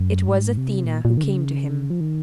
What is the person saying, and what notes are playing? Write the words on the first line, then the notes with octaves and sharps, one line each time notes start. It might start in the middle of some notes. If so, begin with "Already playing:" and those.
It was Athena who came to him.
Already playing: F#2
G#2
C3
A#2
A#2
D#3
C#3
F3
D#3